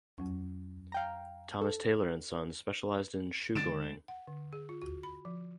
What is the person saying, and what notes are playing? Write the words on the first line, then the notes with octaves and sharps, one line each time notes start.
Thomas Taylor and Sons specialized in shoe goring.
F2 F#3 C#4
F5 G5 A#5
A4
D3 G#3 A6 D7 E7
F#5
D3
G#4
F4
F#4
B5
F3